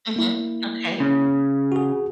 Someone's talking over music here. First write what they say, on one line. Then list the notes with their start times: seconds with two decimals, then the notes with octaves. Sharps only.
Mhm. Okay.
0.16 A#3 E4
1.00 C#3
1.72 F#4 G#4